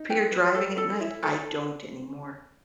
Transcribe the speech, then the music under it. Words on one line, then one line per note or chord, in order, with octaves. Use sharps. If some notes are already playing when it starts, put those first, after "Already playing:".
Fear driving at night. I don't anymore.
Already playing: D#4
G4 B4 G5
B4
A4
A4
E4
A4